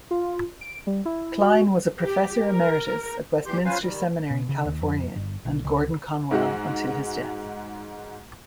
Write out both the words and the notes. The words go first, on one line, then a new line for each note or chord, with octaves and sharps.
Kline was a professor emeritus at Westminster Seminary California and Gordon-Conwell until his death.
F4
D7
G3
E4
F#4
G4
A#4
A#2 E3 G4 C6 G6
C#4 F4 B4 C5 F5 G#5
D#3 G3
B2
C#3
D#2
F2
G1
B1
C#2
G#2 G#3 F#4